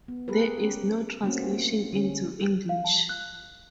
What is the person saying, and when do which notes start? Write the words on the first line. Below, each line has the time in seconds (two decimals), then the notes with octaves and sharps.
There is no translation into English.
0.08 B3
0.28 G4 G#4 A#4 B4
0.58 C#4 G4
1.23 F#3 A3 A#3 C4 C#4 F#4
1.51 A#3
1.92 D3 G3 C#4
2.69 F5
2.84 A5
3.09 F#6